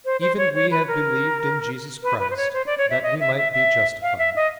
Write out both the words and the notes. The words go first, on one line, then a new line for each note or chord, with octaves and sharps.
Even we have believed in Jesus Christ, that we might be justified.
C5
C5
C#5
C#5
B4
A#4
B4
B4
C5
C#5
C5
D5
C#5
E5
D#5
E5
E5
E5
F5
E5
D#5